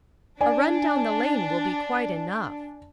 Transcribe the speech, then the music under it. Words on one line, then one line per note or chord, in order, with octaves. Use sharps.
"A run down the lane will be quite enough."
D4 D5 G#5